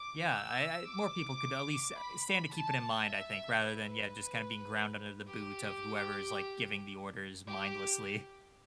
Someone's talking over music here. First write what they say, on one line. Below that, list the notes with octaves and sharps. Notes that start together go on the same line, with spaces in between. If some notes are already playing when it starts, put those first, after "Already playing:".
Yeah, I I more people could at least, uh, stand to keep it in mind, I think, rather than, yeah, just kinda being ground under the boot of whoever's, like, giving the orders mindlessly.
Already playing: D6
E6
D6
B5
A5
E5
B4
G4
G4